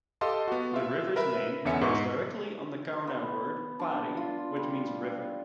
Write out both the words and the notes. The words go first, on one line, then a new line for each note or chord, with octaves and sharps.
The river's name is based directly on the Kaurna word "pari" which means river.
G4 A4 D#5 F5 A5 C6
B3 F#4
F4 E5
A#4 B4 E5 B5
E2 D3 B3 C#4 E5 C#7
G#2 C#6
C6
B3
D4
F4
G3